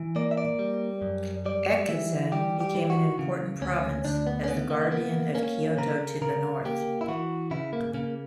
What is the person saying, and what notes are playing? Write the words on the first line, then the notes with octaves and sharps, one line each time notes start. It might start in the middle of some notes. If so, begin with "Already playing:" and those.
Echizen became an important province, as the guardian of Kyoto to the North.
Already playing: E3
A#3 D5
E5
D5
G3
F#2
G3 D5
E3 E5
G3 G4
G4
E3
F#4
C#3
D2 C#4
D2 D4
B3
C#4
C#3 B3
A#3
A#3 B3
A#3 C#4
C#3 A#4
C#3 A#4
A#3 G4
E4
E3 F#4
C#3 E4
A#3
C#3 A#3